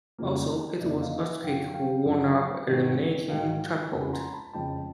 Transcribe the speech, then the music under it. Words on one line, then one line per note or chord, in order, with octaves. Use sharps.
Also, it was Earthquake who wound up eliminating Tugboat.
F2 C#3 F3 A#3
F2 C#3 F3 A#3 D5 E5
D#5 F5
E5 F#5
F#2 D3 F3 F5 G5
F5 G5
F#2 D3 F3
G#2 D#3 F#3
G#2 D#3 F#3 F5 G5
F2 C#3 F3 G#3 F#5 G#5
B5
A#5 C6
A5 B5
F2 C#3 F3 G#3 G5 A5